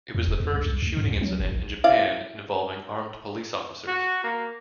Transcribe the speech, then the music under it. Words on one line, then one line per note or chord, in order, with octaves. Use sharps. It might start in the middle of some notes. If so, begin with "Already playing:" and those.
It was the first shooting incident in Japan involving armed police officers.
E2
D#1
D#2
C#2
C2
D2
G#2
C#2
F#3
G1
A#1
E4 D5 F5
F#4
A#3